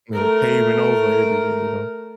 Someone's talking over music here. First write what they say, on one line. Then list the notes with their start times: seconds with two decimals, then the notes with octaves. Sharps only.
you know, paving over everything, you know?
0.14 A3 A#4